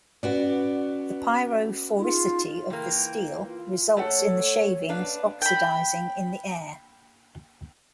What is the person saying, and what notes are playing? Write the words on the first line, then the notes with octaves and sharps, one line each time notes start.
The pyrophoricity of the steel results in the shavings oxidising in the air.
B3 C#4 F#4 B4 D5 F#5
D#4 F4 G#4
E3 A#3 G5
F4
A3 A4 C#5 F#5
D4 B4 F5
G5 B5